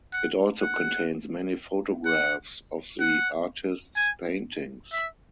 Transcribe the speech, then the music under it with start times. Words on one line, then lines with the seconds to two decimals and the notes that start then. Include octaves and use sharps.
It also contains many photographs of the artist's paintings.
0.13 F#5
0.61 F#5
2.05 F#5
3.00 F#5
3.96 G#5
4.92 E5